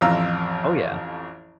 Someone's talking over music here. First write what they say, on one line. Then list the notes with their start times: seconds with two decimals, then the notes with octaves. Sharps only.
Oh, yeah.
0.01 A1 F2 F4 A#5 E6